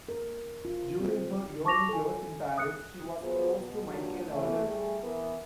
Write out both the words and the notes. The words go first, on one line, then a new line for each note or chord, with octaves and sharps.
During her early years in Paris, she was close to Michael Arlen.
A#4
F4
C4
A5 C#6 D6 A#6 F7
A4 G#5
D#6 F#6 C#7
F#3 B3 F4 G#4 C5
B2
G2 A#2 F#3 G3 D4 F#4
E3 A3
G3 A3 G4 G#4
E3 B3 E4 A#4